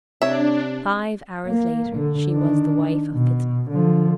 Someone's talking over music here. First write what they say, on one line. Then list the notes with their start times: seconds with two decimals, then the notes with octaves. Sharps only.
Five hours later she was the wife of Fitzpiers.
0.22 C3 D4 C#5 E5
1.46 A#3
1.96 D3
2.32 D#3 D4
3.13 B2
3.70 D3 F3